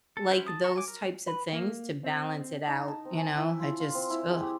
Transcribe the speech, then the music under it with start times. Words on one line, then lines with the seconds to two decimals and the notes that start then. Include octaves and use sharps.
like those types of things to balance it out, you know, I just ugh.
0.17 A4
0.30 C#4 E4 C5 G6
0.46 A5 D#6
0.64 A5 A#5 C#6
0.76 G#5 D6
0.88 A#4
1.26 B4
1.53 A#3
2.04 C4
2.67 D#4
2.88 A5
3.05 C4
3.17 G#5
3.37 E4
3.60 F4
3.80 F4
3.95 C4
4.10 E4
4.30 G#4
4.43 G4